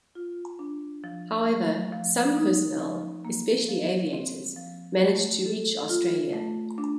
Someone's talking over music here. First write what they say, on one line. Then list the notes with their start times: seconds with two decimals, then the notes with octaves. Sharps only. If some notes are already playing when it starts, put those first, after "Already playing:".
However, some personnel, especially aviators, managed to reach Australia.
0.15 F4
0.59 D4
1.04 F3
1.48 A3
1.93 F3
2.37 D#4
2.80 F3
3.25 A#3
3.69 F3
4.13 C4
4.56 F3
5.01 A3
5.45 A4
5.89 F4
6.33 A3
6.78 D4